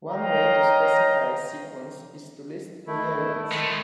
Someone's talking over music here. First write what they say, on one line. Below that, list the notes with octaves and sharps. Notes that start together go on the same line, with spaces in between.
One way to specify a sequence is to list the elements.
C#5 D#5 F5 G5 A#5
D#3 A3 E4
G#3 A3